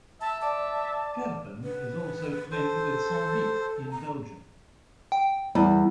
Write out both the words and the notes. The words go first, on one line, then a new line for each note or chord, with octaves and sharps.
Kerpen is also twinned with Saint Vith in Belgium.
E5 A5
D5 A5 D6
B4
A4 C5
A#5
G5
E2 G3